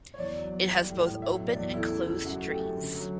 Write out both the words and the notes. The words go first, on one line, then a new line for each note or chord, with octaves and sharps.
It has both open and closed drains.
C#5
E2 D5
F#3
E2
G3
A2
A2
F#3 E5
B2
D5
E2
A3 E4
C#3
C#3
F#2 F#4
A3
G4
F#2
D3
F#3